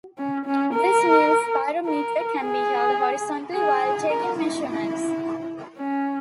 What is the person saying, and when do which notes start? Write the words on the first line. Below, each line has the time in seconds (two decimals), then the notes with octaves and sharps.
This new spirometer can be held horizontally while taking measurements.
0.18 C#4
0.46 C#4
0.74 A#4
1.86 A#4
2.42 G#4
3.54 G#4
4.10 A#4
4.38 E4
4.66 E4
5.78 C#4